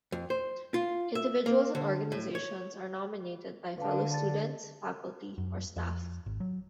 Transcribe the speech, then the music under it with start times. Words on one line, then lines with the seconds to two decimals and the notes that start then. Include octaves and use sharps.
Individuals and organizations are nominated by fellow students, faculty or staff.
0.12 F2
0.30 C5
0.74 F4
1.15 E5
1.46 A#3
1.75 D3
2.12 A2
2.35 C#5
3.78 D3 B4 F5 A5
4.12 A5 A6
5.38 F#2
5.76 F2
6.26 G#1
6.40 F#3